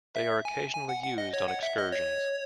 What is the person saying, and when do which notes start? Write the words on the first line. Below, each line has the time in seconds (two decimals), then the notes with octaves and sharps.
They are occasionally used on excursions.
0.16 E5
0.45 G#5
0.75 G#5
0.89 F#5
1.04 F#5
1.18 D#5
1.33 C#5
1.48 F#5
1.63 E5
1.78 D#5
1.92 C#5